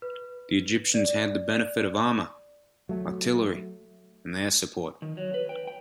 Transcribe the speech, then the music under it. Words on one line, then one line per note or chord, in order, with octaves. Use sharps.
The Egyptians had the benefit of armor, artillery and air support.
B4
D5
F#3 A3
D#3
F#3
B4
G5
G5